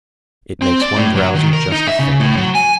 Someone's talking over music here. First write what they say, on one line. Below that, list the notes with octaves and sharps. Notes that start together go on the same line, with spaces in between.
It makes one drowsy just to think of it!
C4
D5
A2
F#3
D#3
A#4
D#4
E5
C#3
A2
F#3
G#5